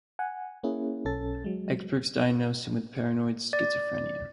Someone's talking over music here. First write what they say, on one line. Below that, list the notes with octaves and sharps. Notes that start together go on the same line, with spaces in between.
Experts diagnosed him with paranoid schizophrenia.
F#5 G#5
A#3 C#4 E4 G#4
B1 C#4 A4 A6
F#3 G#3
D5